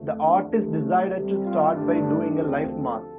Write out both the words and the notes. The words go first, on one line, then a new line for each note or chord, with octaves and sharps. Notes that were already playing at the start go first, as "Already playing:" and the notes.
The artist decided to start by doing a life mask.
Already playing: F2 F3 A3
D4
C2 C3 A3
C2 C3 G3
F4
G2 D3 A3 D4
D2 C3 F3 C4
A4